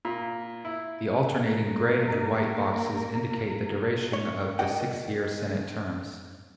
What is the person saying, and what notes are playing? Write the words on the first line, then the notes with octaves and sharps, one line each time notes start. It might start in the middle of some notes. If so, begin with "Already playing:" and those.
The alternating grey and white boxes indicate the duration of the six-year Senate terms.
A#2
E4
A#3 A#4
C#5
A#4 D5 D#5 F#5 G5